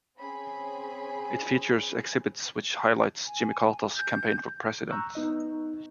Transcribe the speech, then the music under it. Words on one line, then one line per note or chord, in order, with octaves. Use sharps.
It features exhibits which highlight Jimmy Carter's campaign for President.
C4 C#4 G#4 B5
G#5
G6
A#5 C#6 E6 F#6 G6
B3 D#4 D#5